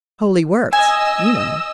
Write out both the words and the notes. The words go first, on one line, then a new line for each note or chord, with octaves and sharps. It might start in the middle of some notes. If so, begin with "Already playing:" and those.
Holy works, you know.
D#5 G#5 E6